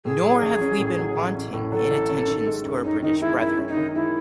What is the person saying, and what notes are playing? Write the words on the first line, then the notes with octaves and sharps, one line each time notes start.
Nor have We been wanting in attentions to our British brethren.
A2 G#4
F#3
A1
C#4
A2
F#3
A1
C#4
A2
F#3 A4
A1
C#4
D#3
G#3
F#2
C#4 D#4
D#3 D#4
G#3 E4
F#2 E4
C#4
D#4
D#3
G#3 E4